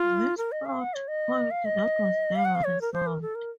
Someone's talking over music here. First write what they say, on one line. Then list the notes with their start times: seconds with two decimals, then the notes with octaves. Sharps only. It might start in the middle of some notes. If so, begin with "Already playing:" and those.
This plot-point that was never resolved.
Already playing: F4
0.38 A#4
0.52 D#5
0.65 F5
0.81 F#5
0.94 C#5
1.08 D#5
1.51 F5
1.65 D#5
2.35 F5
2.45 F#5
2.55 F5
2.64 C#5
2.81 A#4
2.93 C5
3.07 A#4
3.22 A4
3.35 A#4